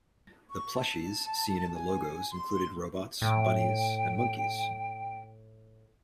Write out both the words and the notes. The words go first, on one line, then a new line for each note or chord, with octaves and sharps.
The plushies seen in the logos included robots, bunnies, and monkeys.
C#6
A5
G#5
C6
A2 G5